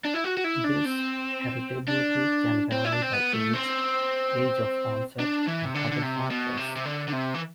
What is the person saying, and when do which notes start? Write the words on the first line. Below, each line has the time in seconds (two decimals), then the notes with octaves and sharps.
This heritability can vary by age, age of onset, and other factors.
0.05 D4
0.14 E4
0.24 F#4
0.37 F#4
0.44 E4
0.64 D4
0.86 C4
1.88 D4
2.72 C4
2.85 E4
2.93 D4
3.02 C4
3.13 B3
3.33 A3
3.54 C4
5.19 D4
5.47 E3
5.65 C3
5.74 D3
5.91 D3
6.02 C3
6.30 B2
6.57 C3
6.76 C3
6.85 D3
7.08 D3
7.12 C3
7.34 E3